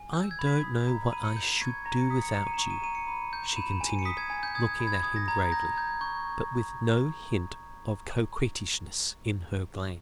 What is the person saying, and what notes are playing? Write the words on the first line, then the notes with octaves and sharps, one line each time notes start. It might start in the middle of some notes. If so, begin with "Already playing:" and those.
"I don't know what I should do without you," she continued, looking at him gravely, but with no hint of coquettishness in her glance.
Already playing: G#5
E6 G6
G#6
B5
B6
D#6
A#5
B5 D#7
C#7
G6
C#6 G#6
A#5 A#6
C#7
D#6 B6
C#7
A#5 C#7
D#7
E7
C#6 D#7
D#7
A#5 D#7
C#7
B5
G6
E7
B5 D#7
G#5
D#7
C#7
D#6 B6
G#6
G#5
G6
D#6 G#6
G#6
B5
G#6
D#6 G#6
A#6
A#5 G#6
G6 A#6
G6 G#6
C#6 G6